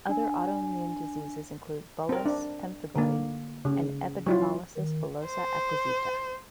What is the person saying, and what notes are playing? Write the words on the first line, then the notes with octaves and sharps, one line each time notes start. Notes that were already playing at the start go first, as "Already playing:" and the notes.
Other autoimmune diseases include bullous pemphigoid and epidermolysis bullosa acquisita.
D4 G#5
C4 A#4
D4
D3 A#3
C#3
F#3 E4 F4
D#3
C5